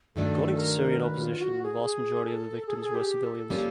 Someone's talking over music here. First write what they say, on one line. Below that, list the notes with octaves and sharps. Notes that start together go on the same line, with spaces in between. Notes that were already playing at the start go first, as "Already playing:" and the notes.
According to Syrian opposition, the vast majority of the victims were civilians.
G2 D#3 F#3 A3 D4 A4
A4
A#4
B4
F4
F#4
G#4
G#4
A4
G#4
A4
G#4
G4
A4
G3 A#3 C#4 F4